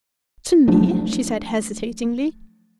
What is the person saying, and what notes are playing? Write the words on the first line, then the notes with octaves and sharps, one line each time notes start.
"To me?" she said, hesitatingly.
F3 F#3 A3 D4